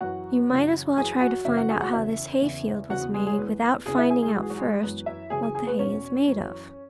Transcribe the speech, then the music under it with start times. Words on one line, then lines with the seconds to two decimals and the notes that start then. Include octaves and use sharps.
You might as well try to find out how this hay- field was made, without finding out first what the hay is made of.
0.01 F#2 E3 F#4 F#5
0.49 F#2 C#3 E3
0.97 F#2 E3 G#4 G#5
1.21 F#4 F#5
1.45 F#2 C#3 E3 E4 E5
1.57 F#4 F#5
1.70 G#4 G#5
1.81 F#4 F#5
1.93 E2 C#3 E3 E4 E5
2.41 E2 C#3 E3
2.89 E2 C#3 E3 F#4 F#5
3.01 B3 B4
3.14 G#3 G#4
3.26 G#3 G#4
3.33 C#5
3.38 E2 E3 B3 B4
3.86 E2 C#3 E3 G#4 G#5
3.98 E4 E5
4.10 G#4 G#5
4.22 G#3 G#4
4.34 G#2 E3 F#4
4.42 G#4
4.50 F#3 F#4
4.58 G#3 G#4
4.82 F#2 E3 B3 B4
5.06 E4 E5
5.30 F#2 C#3 E3 G#4 G#5
5.42 G#4 G#5
5.55 G#4 G#5
5.66 B3 B4
5.78 E2 B2 C#4 C#5
6.27 F#2 E3